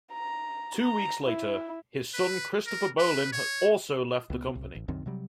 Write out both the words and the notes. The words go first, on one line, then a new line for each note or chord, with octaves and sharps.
Two weeks later, his son Christopher Bolin also left the company.
A#5
A#5
E4
B4
A#4
B4
C#5
C#2 B3
C2
A1
C2 F#2 D#3 C4
C3 F#3 G3